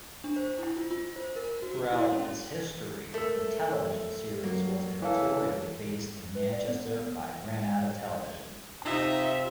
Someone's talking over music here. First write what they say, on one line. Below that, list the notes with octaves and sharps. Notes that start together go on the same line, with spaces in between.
Throughout its history, the television series was editorially based in Manchester by Granada Television.
D4
C5
E4
F4
F4
C5
A#4
F#4
F#4
E4
C#4
A3 A#4 E6
F#3 A#3
E3 A4 C#5 F5
B4
D5
B3
C3 D#4 F4 E5